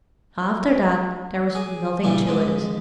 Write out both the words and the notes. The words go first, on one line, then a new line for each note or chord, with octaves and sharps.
After that there was nothing to it.
G#4 D6
G2 A#2 C#3 E3 G3 A3
F2 D3 G#3